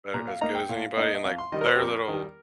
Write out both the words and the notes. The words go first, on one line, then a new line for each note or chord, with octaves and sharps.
better as good as anybody, and, like, their little
A#2 A#5
F5
A#3 D#4 A#5
G5
A#2 F5
A#3 D#4 D#5
D#5
F2 F5
C6
D#3 G3 D#5
A#4
C5
G4
F2 A#4
D#3 G3